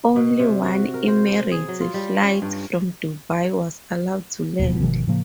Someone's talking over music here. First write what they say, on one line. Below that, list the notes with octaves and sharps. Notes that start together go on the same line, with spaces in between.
Only one Emirates flight from Dubai was allowed to land.
B2
C3
F#4
A#4
C5
G#4
F#3
F4
G3
C#4
G2
D1 D#2 B2
G1 B2 D#3 F3
A2 C#3 F3 A#3